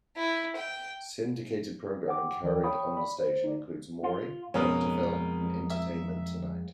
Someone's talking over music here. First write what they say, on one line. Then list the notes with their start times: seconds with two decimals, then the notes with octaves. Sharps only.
Syndicated programming carried on the station includes "Maury", "Dr. Phil" and "Entertainment Tonight".
0.17 E4
0.56 G5
2.08 F#5 G5 D6
2.43 D#2 E3 A#4 D5 G5
2.63 C#5 F5 G5 B5 C#6 D#6
2.97 D5 B5
3.18 C5
3.44 D#4 D5
4.03 F4
4.54 F2 B2 G#3 C#4 A#4
5.70 E5